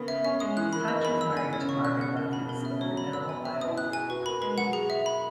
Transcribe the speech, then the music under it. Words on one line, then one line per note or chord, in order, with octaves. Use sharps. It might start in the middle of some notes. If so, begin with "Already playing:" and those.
Hatch was married to Margaret Mathews of Grinell, Iowa.
Already playing: C#3 A#3 B3
E5
C#4 E5
G#3 D#6
E3 F#6
D#3 B5
B3 D#5
A#3
B3 B5
E6
G#5
C#3 C#5
C#6
B2
F#6
C#3
F#5
B2 A#4
B5
B2
A#4
C#3 E5
F#3 C#5
B5
B3 E6
G#5
B3
C#4 E5
D#6
E4
F#6
G#4 G#5
F#4 B4
A#3 B5
G#3 B4
F#3 F#5
G#4
E5
B5